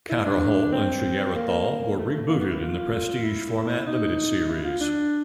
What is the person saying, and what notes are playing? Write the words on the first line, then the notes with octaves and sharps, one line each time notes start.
Katar Hol and Shayera Thal were rebooted in the prestige format limited series.
E4
D4
C4
A#3
A3
A3
A#3
B3
E4
F4
E4
D#4
E4
F4
D4